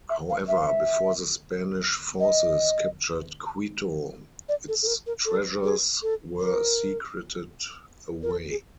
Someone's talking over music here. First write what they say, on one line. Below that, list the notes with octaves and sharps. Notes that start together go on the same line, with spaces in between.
However, before the Spanish forces captured Quito, its treasures were secreted away.
E5
F5
E5
F5
E5
D#5
D5
A4
A4
A#4
A#4
A4
G#4
A4
A#4
A#4
A4
G#4